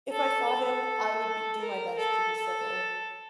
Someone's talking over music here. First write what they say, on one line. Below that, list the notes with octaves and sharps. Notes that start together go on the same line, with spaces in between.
If I saw him, I would be do my best to be civil,
A4
A4
A#4
A4
A4